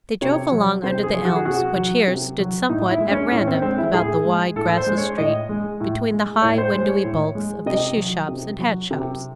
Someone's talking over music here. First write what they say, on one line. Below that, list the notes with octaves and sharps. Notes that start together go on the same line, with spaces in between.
They drove along under the elms which here stood somewhat at random about the wide, grassless street, between the high, windowy bulks of the shoe shops and hat shops.
C3 C#5
F#3
C3 C5
G#4
F#3
F#4
G#4
C3 F#4
F#3
C3
F#3
A2 D#4
E4
G#3
C#4
A2 C#4
C4
G#3 C4
E4
A2 G#4
G#3
A2 A4
C5
G#3
C#5
A2 D#5
G#3
A2
G#3
A2 C#5
C5
G#3 C5
C#5
A2
G#3
C3 D#5
F#3
C3
F#3
C3